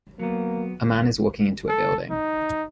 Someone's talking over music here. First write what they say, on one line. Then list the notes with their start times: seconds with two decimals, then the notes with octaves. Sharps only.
A man is walking into a building.
0.19 F#3 A#3 B3
1.68 A4
2.10 D#4